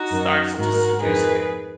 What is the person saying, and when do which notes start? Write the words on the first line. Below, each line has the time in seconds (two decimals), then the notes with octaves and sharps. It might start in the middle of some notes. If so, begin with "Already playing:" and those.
starts to seduce him.
Already playing: D#4 F#4
0.10 F#2 D#3
0.56 G#2 D#3 F#4 A#4
1.02 F2 D#3 G#4 B4